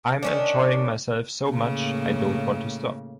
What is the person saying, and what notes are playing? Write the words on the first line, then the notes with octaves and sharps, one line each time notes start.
I'm enjoying myself so much I don't want to stop.
D#3 C#4 D4
A2 C#3 A#3